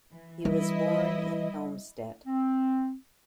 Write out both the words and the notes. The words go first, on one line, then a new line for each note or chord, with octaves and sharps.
He was born in Helmstedt.
E3
E3 G3 E4 D#5
C4